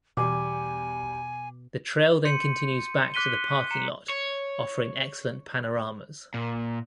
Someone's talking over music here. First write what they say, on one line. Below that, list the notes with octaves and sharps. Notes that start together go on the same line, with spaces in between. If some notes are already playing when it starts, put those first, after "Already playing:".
The trail then continues back to the parking lot, offering excellent panoramas.
E2 B2 G3 G#5 D6
C6 G6 C#7 D#7
D6 F#6 B6 D#7 G7
A#5 C#7 E7
C#5
A#2